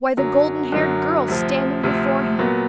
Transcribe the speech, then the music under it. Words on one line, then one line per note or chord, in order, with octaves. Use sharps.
Why, the golden-haired girl standing before him.
F#2 D3 F#3
F#2 D3 F#3
D2 C3 F3
D2 C3 F3
A#2 F#3 B3